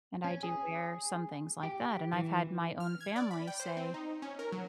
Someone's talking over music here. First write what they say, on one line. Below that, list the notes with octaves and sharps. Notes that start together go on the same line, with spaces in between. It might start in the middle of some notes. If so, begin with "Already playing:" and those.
And I do wear some things like that. And I've had my own family say
C#4
G#4
G4
E3
F6
G#6
D5
B5
G5
C5
C4
D#4
C#4
A#4
F#3